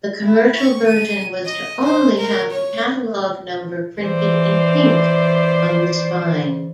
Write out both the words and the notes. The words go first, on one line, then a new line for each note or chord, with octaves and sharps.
The commercial version was to only have the catalog number-printed in pink-on the spine.
E4
C#6
D#7
D#5
C5
A#4
C#5
E3 C5 D5